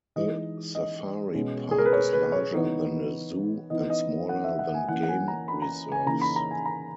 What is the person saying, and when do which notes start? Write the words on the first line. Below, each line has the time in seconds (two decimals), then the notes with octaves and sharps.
A safari park is larger than a zoo and smaller than game reserves.
0.16 E3 G#3 D#4 D#5
0.75 D#5
1.34 B2 G#3 C#4
1.71 G#4
1.78 A#4
1.86 B4
1.93 C#5
2.13 B4
2.32 C#5
2.53 E3 B3 D#4
3.70 E3 B3 D#4 D#5
3.90 D#5
4.29 F#5
4.44 E5
4.59 F#5
4.74 G#5
4.88 E3 A#3 C#4 F#5
5.03 F#5
5.08 G#5
5.28 A#5
5.48 B5
5.62 A#5
5.92 G#5
6.06 C#3 E3 A#3 D#4 A#5
6.21 B5
6.36 A#5
6.51 G#5
6.66 A#5